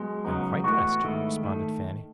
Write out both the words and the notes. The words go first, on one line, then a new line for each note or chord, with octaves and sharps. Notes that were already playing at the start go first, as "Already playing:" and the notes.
"I am quite dressed," responded Fanny.
Already playing: B1 B2 G#3
C#2 C#3 F#3 B3 D#4
A2 E3 B3 F#4
G#2 D#3 A3 E4
D#3 A3